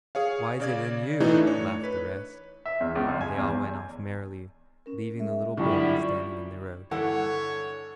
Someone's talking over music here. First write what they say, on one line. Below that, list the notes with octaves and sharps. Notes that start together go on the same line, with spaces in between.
"Wiser than you," laughed the rest; and they all went off merrily, leaving the little boy standing in the road.
G#4 C#5 F5
C#3 D5 G#6
A2 E3 A3 D4 D#4
C#5
B4
E5
E2
C#2
F2
G#5
E2
C#4 A#4
G#3 E5
F#2 D3 G3 E4 F4 D5 C#6
G2 D3 E3 A4 C#5 F#5